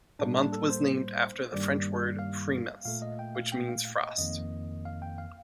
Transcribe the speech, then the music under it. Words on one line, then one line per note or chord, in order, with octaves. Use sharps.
The month was named after the French word "frimas", which means "frost".
A2 G3 A#3 D4
D4
A4
C5
G2 D#3 G3 A#3 D5
F5
A#2 A3 F5
D#5
G5
F5
G5
F5
F5
D#5
F2 D#3 A#3 D#5
F5
G5
F5